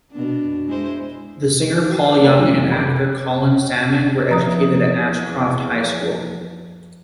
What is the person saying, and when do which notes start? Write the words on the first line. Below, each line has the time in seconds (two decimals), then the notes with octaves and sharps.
The singer Paul Young and actor Colin Salmon were educated at Ashcroft High School.
0.12 B2 D4
0.68 G#3 E4 C5
1.88 F#4 B4 G5 C7
2.19 A#3 C#4 G#5 A#5
2.39 F#2 E3 F3 G#3 A3 C#4
2.71 B4 B5
2.88 A4 B4
4.31 E2 F3 A#5 D#6